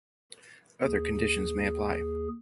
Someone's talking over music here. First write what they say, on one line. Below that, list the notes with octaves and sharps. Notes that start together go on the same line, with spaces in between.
Other conditions may apply.
D#2 G#4